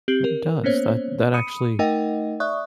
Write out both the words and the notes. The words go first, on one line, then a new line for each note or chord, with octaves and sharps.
But it does, that that actually
C4 G4 G6 F#7
A#4
A#3 B3 C#4 C5 C#5
B5 D#6 C#7 D#7
A3 D#4 A#4 D#5 F#5 G5
D5 E5 C#6 D#6 F#6